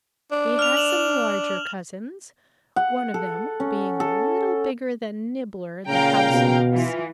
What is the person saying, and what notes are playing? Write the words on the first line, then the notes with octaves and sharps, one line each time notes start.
He has some larger cousins, one of them being a little bigger than Nibbler the House Mouse.
D4
F6 F7
E7 F#7
F#5
A4
C#4
A4
A#2 C#3 F5 G5 A#5
B2
E3 F4